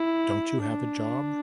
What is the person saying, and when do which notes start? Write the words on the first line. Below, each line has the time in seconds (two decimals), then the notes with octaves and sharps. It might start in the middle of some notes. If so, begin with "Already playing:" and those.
Don’t you have a job?
Already playing: E4
0.62 D4